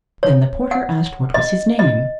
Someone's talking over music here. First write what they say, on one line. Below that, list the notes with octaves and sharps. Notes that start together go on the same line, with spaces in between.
Then the porter asked what was his name.
C#5
F#5
D#5
D#5